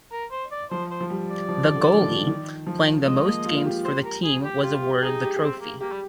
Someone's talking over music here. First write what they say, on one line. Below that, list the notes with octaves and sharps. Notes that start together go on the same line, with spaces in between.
The goalie playing the most games for the team was awarded the Trophy.
A#4
C5
D5
F3 C5
C5
F3
G3
D5
F3
D3
F3
D#3
D#3
F3
G#3 D#5
A#3
F4
F4
G4
C5
A#4
G#4
G4
F4 G4
G4
D#4 G#4
G4
G#4
C4 G4
A#3
A#3 G4
G3